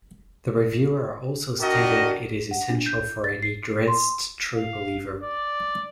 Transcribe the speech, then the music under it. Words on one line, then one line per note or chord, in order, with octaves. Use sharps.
The reviewer also stated it is essential for any "Drizzt true believer".
D4 F#4 G4 A#4 D5 D#5
F#5
D4
G6
A6
C7
C6
F5
D5